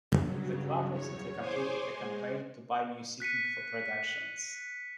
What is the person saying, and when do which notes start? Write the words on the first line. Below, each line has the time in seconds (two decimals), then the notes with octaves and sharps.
The club recently completed a campaign to buy new seating for productions.
0.20 G2 C#3 F#3
0.87 E2 C#5
1.39 G#4 C5 C#5 G#5 C6 D6
1.87 G#3
3.20 F#6 B6 C#7 D#7